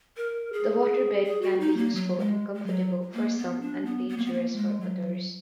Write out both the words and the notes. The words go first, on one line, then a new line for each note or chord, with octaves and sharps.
The waterbed can be useful and comfortable for some and dangerous for others.
A#4
G#4
G#4
F#4
D#4
A#3
F#3
G#3
G#3
F#3
A#3
B3
D4
B3
B3
A#3
B3
A#3
G#3
F#3